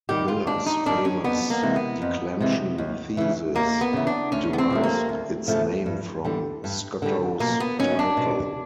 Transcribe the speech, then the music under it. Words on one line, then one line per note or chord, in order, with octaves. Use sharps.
Miller's famous "declension thesis" derives its name from Scottow's title.
D#3 G3 G4
F4
D#2 D4
D#4
D#3 G3 D4
C#4
F2 B3
A#3
C3 E3 G#3
B3
F2
C3 E3 G#3
D#2
C#3 E3
D#2 A#3
B3
C#3 E3
D4
D2 C#4
B3
C4
C#3 F3 A3
A#3
D2
C#3 F3 A3
G2
D3 G3
G2
D3 G3
B2 A#3
B3
F#3 A#3 C#4 D#4
D4
B2